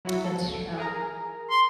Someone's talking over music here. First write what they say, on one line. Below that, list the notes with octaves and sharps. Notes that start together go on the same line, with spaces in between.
It's true.
F#3 E4 F#4
A4
G#4 A#4 A#5
C6